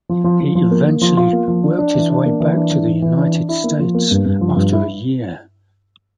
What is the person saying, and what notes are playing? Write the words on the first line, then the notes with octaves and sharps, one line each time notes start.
He eventually worked his way back to the United States after a year.
F3
F3
F3
F3
A#3
A#3
F3
F4
A#3
F3
D4
D4
E3
D4
A#3
E3
D4
E3
E3
E3
D4
D4
E4
A#3
F3
A#3
G2
G2
F3
G2
E4